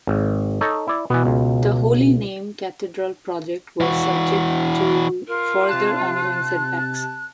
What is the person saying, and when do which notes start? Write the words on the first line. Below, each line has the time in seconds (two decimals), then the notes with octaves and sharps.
The Holy Name Cathedral project was subject to further ongoing setbacks.
0.07 G#1
0.61 D#4 A4 C#5
0.88 E4 D5
1.10 B2 E3 B3
1.25 C#2
3.81 E3 F#4
5.27 F4 A#4
5.68 C3 A5 F#6